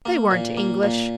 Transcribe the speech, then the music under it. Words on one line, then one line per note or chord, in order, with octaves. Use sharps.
"They weren't English."
A#3
A#2
A#3
A#2